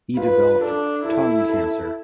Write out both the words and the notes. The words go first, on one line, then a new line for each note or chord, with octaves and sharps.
He developed tongue cancer.
F4 B4
D4 A4
E4 A4
A4